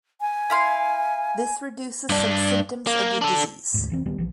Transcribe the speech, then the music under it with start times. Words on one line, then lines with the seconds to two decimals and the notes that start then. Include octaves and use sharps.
This reduces some symptoms of the disease.
0.21 G#5
0.50 E4 F5 C6
2.09 G2 D4
2.87 A#3
3.21 D4 A4
3.74 D2 G#2
3.90 F1 E3 C4
4.05 D1 D#3 G3 B3
4.18 A#1 E3 F3